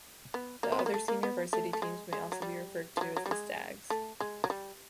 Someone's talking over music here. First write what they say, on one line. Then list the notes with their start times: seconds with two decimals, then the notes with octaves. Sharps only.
The other senior varsity teams may also be referred to as the Stags.
0.34 B3
0.63 A#3
0.72 C4
0.79 B3
0.86 A#3
0.94 A3
1.08 A#3
1.23 B3
1.53 A3
1.73 A3
1.82 G#3
2.13 G#3
2.32 F#3
2.42 G3
2.97 F3
3.01 F#3
3.17 F#3
3.26 G3
3.31 G#3
3.90 A3
4.20 G#3
4.44 F#3
4.50 G3